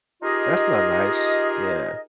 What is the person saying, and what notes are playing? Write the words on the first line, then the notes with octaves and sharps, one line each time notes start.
That's not nice. Yeah.
D#4 F4 G4 G#4 A#4 D#5